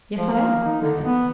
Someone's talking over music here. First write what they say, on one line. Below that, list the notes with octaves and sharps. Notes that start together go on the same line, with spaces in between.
"Yes; I am," I answered.
F3
A#3
D#4
D3
B3